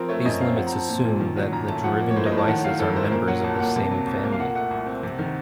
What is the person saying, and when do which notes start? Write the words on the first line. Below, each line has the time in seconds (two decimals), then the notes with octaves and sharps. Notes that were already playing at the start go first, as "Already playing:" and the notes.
These limits assume that the driven devices are members of the same family.
Already playing: F3 C4 A#4
0.08 A3 C#5
0.25 F#2 D#5
0.40 C4 F5
0.56 F3 F#5
0.67 A#5
0.72 C4 A5
0.88 A#2
1.05 A#2
1.20 D#3
1.36 F#3
1.52 F#2 A#5
1.68 A3 A5
1.84 F3 F#5
2.00 A#3
2.11 C#5
2.16 A2 C5
2.26 D#5
2.32 A2
2.38 A5
2.48 D#3 F#5
2.64 F#3 F5
2.80 F2 A4
2.90 A#4
2.96 A3 C5
3.11 A#2 A#4
3.28 F#3 F#5
3.44 C2 A5
3.60 A#3 F#5
3.76 C3 A5
3.91 F#3
4.07 C2
4.23 A#3
4.32 F5
4.39 A#2 F#5
4.55 A3 F#5
4.71 C2
4.86 C4
5.03 C3
5.19 D#3